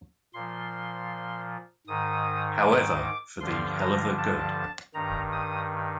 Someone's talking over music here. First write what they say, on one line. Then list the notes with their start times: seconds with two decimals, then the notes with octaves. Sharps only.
However, for the Heluva Good!
0.34 A#2 F3 C6
1.87 G#2 D#3 D#6
2.64 D6
3.40 G2 D3 F3 C6
3.79 A#5
4.18 A5
4.94 G2 D#3 A#5
5.33 D#6